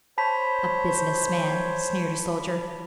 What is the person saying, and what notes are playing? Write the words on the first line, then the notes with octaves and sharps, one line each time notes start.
"A business man," sneered a soldier.
C5 C#5 A5 B5 B6